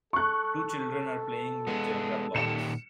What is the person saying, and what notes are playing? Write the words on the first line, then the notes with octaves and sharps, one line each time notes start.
Two children are playing with Jenga blocks.
A4 C#6 F#6
G#3 B3
A#2 D#3 G4 C#7 E7